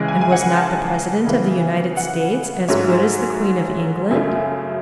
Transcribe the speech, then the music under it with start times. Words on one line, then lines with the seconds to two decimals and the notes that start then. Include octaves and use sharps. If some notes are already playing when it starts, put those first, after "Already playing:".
And was not the President of the United States as good as the Queen of England?
Already playing: C#3 E3 G#3
0.08 G#5
0.21 G#5
0.32 F#5
0.56 A5
1.27 C#3 E3 B3
1.97 F#5
2.68 G#2 F#3 A3 C#4
4.11 F#2 C#3 F#3 A3 E5